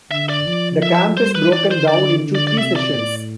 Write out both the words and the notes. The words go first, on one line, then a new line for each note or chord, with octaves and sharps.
The camp is broken down into three sessions.
D3 E5
D5
F3
E5
E5
G3 C5
B4
E3 D5
C5
D3 D5
D3
D5
D5
C3 E5
D5
A2